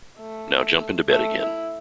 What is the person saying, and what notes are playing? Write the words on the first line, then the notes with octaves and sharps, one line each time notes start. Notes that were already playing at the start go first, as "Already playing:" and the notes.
Now jump into bed again.
A3
A3
E4